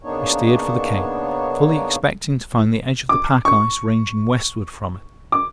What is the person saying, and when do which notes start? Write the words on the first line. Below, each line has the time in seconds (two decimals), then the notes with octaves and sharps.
We steered for the Cape, fully expecting to find the edge of the pack ice ranging westward from it.
0.03 C#3 A#3 B3 D4 D#4 C#5
3.09 D6
3.45 C#6
5.32 D6